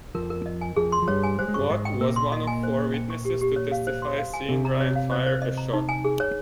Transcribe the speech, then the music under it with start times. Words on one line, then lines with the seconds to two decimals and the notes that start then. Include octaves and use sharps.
Watt was one of four witnesses to testify seeing Ryan fire a shot.
0.15 F2 F3 A#4
0.30 A#4
0.46 D#5
0.61 G#5
0.76 F2 F3 G#4
0.92 C6
1.02 F3
1.08 G2 G3 C#5
1.23 G#5
1.39 G3 C5
1.48 G#3
1.54 G2 G3 C#6
1.70 G#2 G#3 D#5
1.85 G5
2.01 A#2 A#3 A#4
2.16 C6
2.32 D#5
2.47 G#5
2.63 C5
2.79 C5
2.94 G5
3.10 C#6
3.25 G4
3.41 G4
3.56 C#5
3.72 F5
3.87 C5
4.02 C6
4.18 F5
4.34 G#5
4.49 C3 C4 G4
4.65 A#5
4.81 C#5
4.95 F5
5.12 C5
5.27 C5
5.42 D#5
5.58 A#5
5.73 D#4
5.89 G#5
6.05 G#4
6.20 C#5